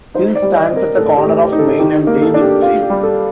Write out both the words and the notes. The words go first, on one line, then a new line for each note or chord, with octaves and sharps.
Hill stands at the corner of Main and Davis streets.
D#4 C5
D5
G3
D#5
C4
A#4
A2 A4
G4
A3
G4
D#4
A4
D#3 G4
A#3
A4
D4
G4
F4
G4
G3
A4